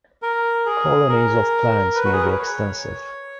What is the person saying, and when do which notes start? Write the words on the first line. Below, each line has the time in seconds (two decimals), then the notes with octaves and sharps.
Colonies of plants may be extensive.
0.22 A#4
0.66 G#4
1.09 A#4
1.95 B4
2.05 F#4
2.13 G#4
2.21 A#4
2.30 B4
2.39 C#5